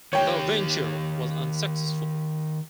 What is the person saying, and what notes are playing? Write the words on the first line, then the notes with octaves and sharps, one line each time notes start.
The venture was unsuccessful.
D#3 G4 C#5 G5